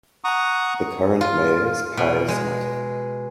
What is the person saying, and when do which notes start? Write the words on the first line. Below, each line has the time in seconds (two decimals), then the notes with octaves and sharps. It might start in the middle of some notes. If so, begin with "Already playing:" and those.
The current mayor is Pius Natter.
0.24 F#5 A#5 C#6 D#6
1.21 F4
1.97 B2
2.28 G#3